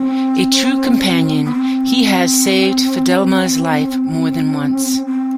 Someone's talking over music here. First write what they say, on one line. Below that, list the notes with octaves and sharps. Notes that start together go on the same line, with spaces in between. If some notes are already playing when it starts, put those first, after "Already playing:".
A true companion, he has saved Fidelma's life more than once.
Already playing: C4
B3
C4
C4